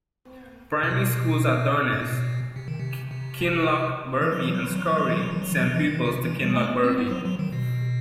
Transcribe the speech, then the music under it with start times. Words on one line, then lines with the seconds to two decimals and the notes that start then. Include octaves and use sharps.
Primary schools at Durness, Kinlochbervie and Scourie send pupils to Kinlochbervie.
0.83 C3
0.91 B2
1.93 A2
2.02 B2
2.56 C3
2.68 D#3
2.80 C3
3.11 C3
4.22 E3
4.32 F#3
4.43 E3
4.55 F#3
4.65 E3
4.76 F#3
4.87 E3
4.98 F#3
5.09 E3
5.19 F#3
5.31 E3
5.42 F#3
5.52 E3
5.63 F#3
5.74 E3
5.86 D#3
6.05 C3
6.24 E3
6.42 G3
6.56 A3
6.84 C4
6.98 B3
7.11 F#3
7.25 F#3
7.39 D#3
7.52 B2